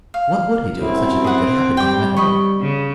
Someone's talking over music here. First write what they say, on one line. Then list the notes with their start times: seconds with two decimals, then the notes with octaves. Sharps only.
What would he do if such a thing could happen to him at home?
0.14 F5
0.79 C2 F#2 C4 E4
1.24 G#4 F#5
1.77 G3 G5 D6
2.17 D#5 B5 C#6
2.61 C#3